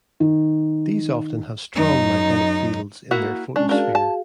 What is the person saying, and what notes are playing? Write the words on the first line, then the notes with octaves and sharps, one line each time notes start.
These often have strong magnetic fields in their photosphere.
D#3
F#2 D#4
A#3 E4 F#4
G#3 C#4 D4
D4 F#4 G#4 A#4 F5
A5